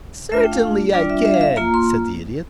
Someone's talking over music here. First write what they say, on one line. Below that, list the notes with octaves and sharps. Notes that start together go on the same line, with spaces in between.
"Certainly I can," said the Idiot.
A3 D4 F4 E5
G5
F5
G3 D4 F4 D5
E5
E5
F5
E5
A#3 F4 A#5
C6